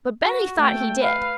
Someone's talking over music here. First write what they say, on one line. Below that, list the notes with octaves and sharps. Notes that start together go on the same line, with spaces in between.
But Benny thought he did.
F#4
A3 G5
B4 F5